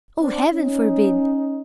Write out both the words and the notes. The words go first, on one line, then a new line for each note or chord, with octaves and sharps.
Oh, heaven forbid!
C4 D4
C#4 D#4